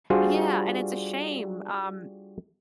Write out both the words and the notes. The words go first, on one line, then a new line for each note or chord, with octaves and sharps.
yeah, and it's a shame, um,
G3 D4 F4 F#4 G#4 C5